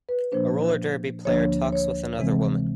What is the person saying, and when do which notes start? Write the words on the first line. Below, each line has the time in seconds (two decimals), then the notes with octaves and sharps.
A roller derby player talks with another woman.
0.09 B4
0.32 A#2 F3 A#3 D4 C5
1.25 D2 D3 F3 A#3 D4 C#5
1.72 C#5
2.19 C3 E3 G#3 C4